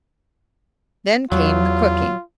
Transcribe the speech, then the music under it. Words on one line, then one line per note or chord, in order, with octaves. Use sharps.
Then came the cooking.
E2 F#3 F4